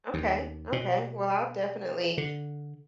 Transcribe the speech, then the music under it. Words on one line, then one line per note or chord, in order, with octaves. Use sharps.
Okay, okay, well, I'll definitely
D#2
B2
D3